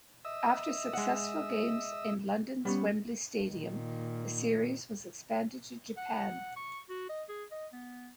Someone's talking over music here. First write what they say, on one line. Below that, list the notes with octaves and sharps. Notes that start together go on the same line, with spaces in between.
After successful games in London's Wembley Stadium, the series was expanded to Japan.
D#5 E5 E6
G#3 F#5
G3 B3 C#4
A#2 D#3
F#5
F#5
C#6
F#4
D#5
G#4
D#5
B3